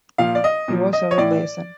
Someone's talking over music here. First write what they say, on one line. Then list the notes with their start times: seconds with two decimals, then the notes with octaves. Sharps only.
He was survived by a son.
0.18 A#2 F3 F5
0.35 D5
0.44 D#5
0.68 A#2 F3
0.93 D#5
1.11 C#5
1.18 A2 E3 D5